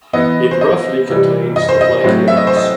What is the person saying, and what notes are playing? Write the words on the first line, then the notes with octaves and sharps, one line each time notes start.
It roughly contains the Black Hills.
E3 B3 D#5
C5
D#5
C3 E3 G3
D#5
C5
D#5
A2 F#3 C4 C5
E5
D#5
C5
D#5